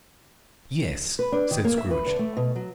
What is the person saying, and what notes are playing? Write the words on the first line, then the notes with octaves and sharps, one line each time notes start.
"Yes," said Scrooge.
B4
D4
D#3
A#3
E5
B4
D3
A3
B2
F#3